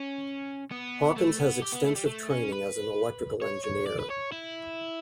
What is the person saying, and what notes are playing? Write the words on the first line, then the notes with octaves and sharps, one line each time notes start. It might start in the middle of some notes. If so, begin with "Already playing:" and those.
Hawkins has extensive training as an electrical engineer.
Already playing: C#4
B3
A3
B3
G4
B3
A3
G3
A3
C#4
B4
C#5
C#5
D5
B4
C#5
E4